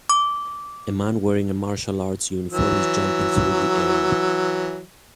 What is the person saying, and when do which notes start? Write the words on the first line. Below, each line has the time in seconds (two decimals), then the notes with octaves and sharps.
A man wearing a martial arts uniform is jumping through the air.
0.10 D6
2.52 E3 F#3 E6